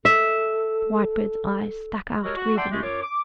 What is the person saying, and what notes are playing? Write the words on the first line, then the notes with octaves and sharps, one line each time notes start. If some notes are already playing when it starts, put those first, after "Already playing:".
Whitebird's eyes stuck out greedily.
A4 E5
G#3 F#4 G4 A4 A#4 C#5
F#4
D5 E5 F#5 G5 A5 C6
G#3 A3 G4
F#2 F4 C#5 D6
D6